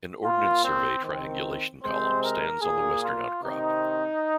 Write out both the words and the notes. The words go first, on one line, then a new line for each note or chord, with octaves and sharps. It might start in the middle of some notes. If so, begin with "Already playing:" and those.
An Ordnance Survey triangulation column stands on the western outcrop.
A#2 A#3 F4
C4
D#3 C4
C3 G#3 C4 C5
A#4
A#2 A#3 G#4
F4
C3 D#3 C4 D#4